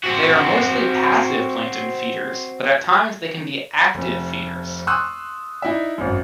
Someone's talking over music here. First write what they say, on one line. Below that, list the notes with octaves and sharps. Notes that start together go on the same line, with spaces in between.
They are mostly passive plankton feeders, but at times they can be active feeders.
C4 F#4
F1 F2
C6 C#6 D#6 E6 F#6
D#4 E4 D5 E5
G#1 F#2